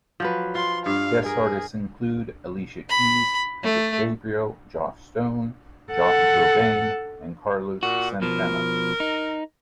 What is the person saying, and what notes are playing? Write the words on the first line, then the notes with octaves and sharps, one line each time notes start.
Guests artists include Alicia Keys, Peter Gabriel, Joss Stone, Josh Groban and Carlos Santana.
F3 F#3 B4
F4 C6
G2 F5
G#4 A#4
B5
A3
A4 F#5
A#2 F#4
B2 F3 A#4
D#4